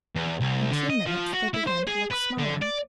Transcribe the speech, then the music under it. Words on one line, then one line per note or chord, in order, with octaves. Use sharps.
In two minutes they began to look smaller.
E2
C2
D3
D#5
F3
F#4
E4
C5
G#4
B4
D3
D5